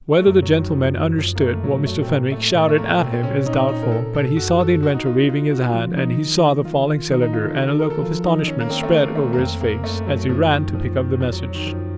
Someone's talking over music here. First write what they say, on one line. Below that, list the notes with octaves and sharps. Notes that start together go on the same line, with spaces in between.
Whether the gentleman understood what Mr. Fenwick shouted at him is doubtful, but he saw the inventor waving his hand, and he saw the falling cylinder, and a look of astonishment spread over his face, as he ran to pick up the message.
A3
F#2 F#3
F#3
D#3
F#2 F3
F#2 F3
A#3
A3
A#2 F#3
A2
F#2 A3
A2
C4
A#2
A2 A#3
A3
A2 A3
A3
A#3
A#2 C4
C4
C#4
A#2 D#4
D#4
A#4
A4
A4
F#2 F#4
A4
F#4
D#4
F4
F4
F#4
F3 F4
D#4
D#3
D#3 F4
F4
D#3 D#4
D#4
F4
A4
F#4
A4
A#4
A4
F3 F4
D#4
D#3 C#4
A#3
C4
A3
A#3
A3
A#3
F2 C4
A#3
F#2 A3
F#3
F#2 F3
D#3
F3
D#3
D#3
F2 F3
F#3
F#3
D#3
F#2 F3